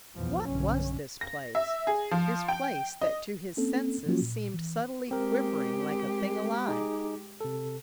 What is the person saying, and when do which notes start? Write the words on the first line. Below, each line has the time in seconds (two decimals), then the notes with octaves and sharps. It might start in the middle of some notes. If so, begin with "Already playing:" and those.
What was this place?--this place that to his senses seemed subtly quivering like a thing alive?
0.14 B1 E2 B2 F3
0.45 B1 G2 D3 C#4
1.21 A#6
1.55 E5
1.87 G#4
2.11 F3
2.48 G5
3.01 D#5
3.57 A#3 C4 C#4 A4
4.06 F3 F#3 A#3 C#4 F4 F#4
4.22 A#2
4.54 E3
5.11 G#3 C4 G4 A#4
6.68 D#4 G#4 D6
7.41 C3 A4